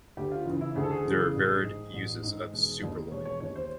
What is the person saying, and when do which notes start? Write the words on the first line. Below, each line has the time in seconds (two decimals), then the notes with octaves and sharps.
There are varied uses of Superloy.
0.17 D2 G4
0.32 F4
0.46 C#3 E3
0.61 E4
0.76 D2 G#4
0.84 A4
0.91 G#4
1.05 C#3 E3
1.34 A1
1.64 G#2 D#3
1.94 A1
2.23 G#2 D#3
2.53 E1
2.82 D#2 D#3
3.11 E1 C#5
3.25 C#5
3.40 D#2 D#3 C#5
3.56 C5